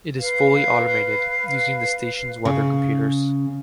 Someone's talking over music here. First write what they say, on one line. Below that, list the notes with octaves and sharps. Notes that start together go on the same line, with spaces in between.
It is fully automated, using the station's weather computers.
B4 F5
C#3